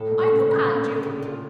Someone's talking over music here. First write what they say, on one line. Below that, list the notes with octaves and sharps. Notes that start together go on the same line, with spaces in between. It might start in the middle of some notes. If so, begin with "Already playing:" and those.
"I command you!"
Already playing: A2 A4
A#2
C#3
C#3
D3
C#3
G4
F4